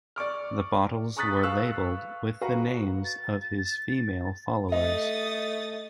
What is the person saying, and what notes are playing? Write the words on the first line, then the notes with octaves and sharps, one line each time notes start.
The bottles were labeled with the names of his female followers.
D5 C#6 D6 F6
A#5 C#6 D#6 F#6 A6 B6
B4 F5 C#6 E6 F#6
F#4 B4 F5 F#5 A#5 C#6
A6
A3 D#5 D#6 A6